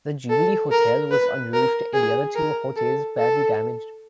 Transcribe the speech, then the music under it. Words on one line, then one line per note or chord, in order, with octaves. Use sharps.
The Jubilee Hotel was unroofed and the other two hotels badly damaged.
A4
A#4
B4
A#4
G#4
A#4
A4
A4